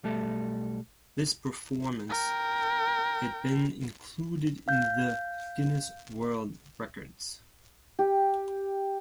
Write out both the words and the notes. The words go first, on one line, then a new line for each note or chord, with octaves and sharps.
This performance had been included in the Guinness World Records.
B1 G3 A3 A4
A#4 G5
F5 G6
G4